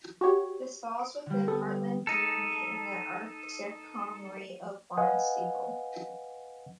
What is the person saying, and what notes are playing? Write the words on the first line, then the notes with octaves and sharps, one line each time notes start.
This falls within Hartland Deanery, in the Archdeaconry of Barnstaple.
F#4 G4 C#5
D7
D3 G3
B3 A4
D#4 A4
B4 D#5 F5 F#5 G#5